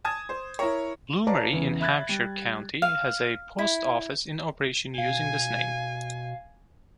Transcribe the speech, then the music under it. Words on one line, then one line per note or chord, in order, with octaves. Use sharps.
Bloomery in Hampshire County has a post office in operation using this name.
G#5 A5 D#6 G#6
C5
E4 A#4 C#5
B4 C#5 D5 F5 A5 A#5
E2 C#3 E3
E5 B5 F#6 G#6 A6
G3
F5
E4
B2 F5 G#5